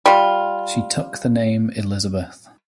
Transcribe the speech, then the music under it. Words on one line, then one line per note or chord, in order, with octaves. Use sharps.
She took the name "Elizabeth".
G3 F4